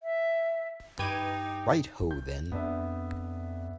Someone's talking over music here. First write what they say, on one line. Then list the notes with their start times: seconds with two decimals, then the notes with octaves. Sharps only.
Right ho, then.
0.02 E5
0.99 G2 D#4 G4 B4 D6 G#6 D#7
2.11 G6
2.52 F2 B3 D4 E5